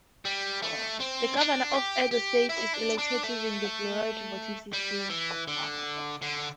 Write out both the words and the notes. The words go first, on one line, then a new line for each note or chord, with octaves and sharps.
The Governor of Edo State is elected using the plurality voting system.
G3
A3
C4
D4
G4
G4
E4
D4
D4
A3
G3
E3
D3
D3